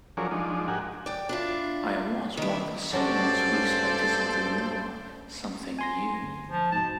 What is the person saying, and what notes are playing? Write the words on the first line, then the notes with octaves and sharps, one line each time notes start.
I was one of the silly ones who expected something more, something new...
F3 F#3 D4 G#4 A#4 C#5
F3 G#3 D4 D#4
G#2 F#4 G4 A#4 F#5 G#5
D5 G5
D4 E4 F4
D#3 E4
G2 F#3 C#4 D4 A4 C5 D5
G#5 C6 A#6
G1
F3
G#2 B2 A5